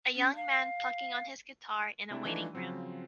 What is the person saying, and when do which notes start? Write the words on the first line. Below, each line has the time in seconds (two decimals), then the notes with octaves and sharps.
A young man plucking on his guitar in a waiting room.
0.15 C#4
0.35 F5
2.11 C3 A3 C4 D4 E4
2.25 E3 F3 A3 D4 D#4
2.55 C#3 F3 F#3 C4